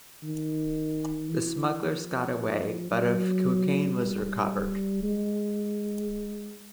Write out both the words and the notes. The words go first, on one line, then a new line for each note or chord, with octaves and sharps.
The smugglers got away, but of cocaine was recovered.
D#3
E3
F3
F#3
G3
G#3